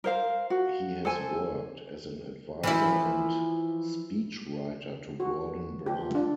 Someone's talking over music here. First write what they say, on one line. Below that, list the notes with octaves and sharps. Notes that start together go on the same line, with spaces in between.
He has worked as an advisor and speechwriter to Gordon Brown.
A#4 C5 F5
F#4
A4 C5 G#5
E3 F3 E4
F#4
F4 G4
D4